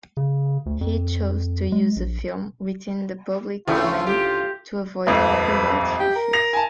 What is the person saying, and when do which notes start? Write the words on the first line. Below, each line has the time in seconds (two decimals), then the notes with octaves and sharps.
He chose to use a film within the public domain to avoid copyright issues.
0.17 C#3
0.66 D2
0.81 F2
1.72 G#3
1.96 A#1
3.68 D2 A2 C#3 E3 A3 F4
4.07 G4
5.07 D#1 G#1 F2 B4
6.00 G4
6.16 A#4
6.33 A#6 F7
6.53 G#5 A5